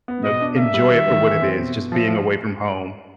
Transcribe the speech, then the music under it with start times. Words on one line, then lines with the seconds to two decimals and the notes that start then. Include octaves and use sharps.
You know, enjoy it for what it is, just being away from home.
0.08 B3
0.24 B2 D#5
0.41 D4
0.58 A#3 E5
0.74 G3
0.91 D#3
1.08 D#3
1.24 E3
1.41 C4
1.58 B2
1.75 B2
1.92 F3 E5
2.08 F3